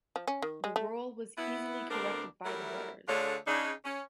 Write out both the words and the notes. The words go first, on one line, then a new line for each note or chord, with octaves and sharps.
The roll was easily corrected by the rudders.
F3
C#4
D#3
G#3
A3
B3 E4
D2 A3 B3 C4 D4 A#4
F#3 G3 A3 E4 A#4
D3 A3 D4 F4 G#4 C#5
C#3 D4 D#4
C#4